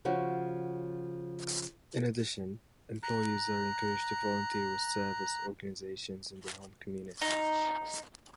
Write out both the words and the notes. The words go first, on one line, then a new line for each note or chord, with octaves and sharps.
In addition, employees are encouraged to volunteer with service organizations in their home community.
C#3 F3 C#4 F#4
A#5 F#6
D#4